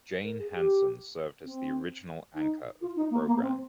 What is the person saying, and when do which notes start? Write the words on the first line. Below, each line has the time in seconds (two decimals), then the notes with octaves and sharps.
Jane Hanson served as the original anchor of the program.
0.24 A#4
0.39 G#4
0.55 G4
1.44 C4
2.35 D#4
2.81 F4
2.96 D#4
3.11 A#3
3.27 A#3
3.41 C4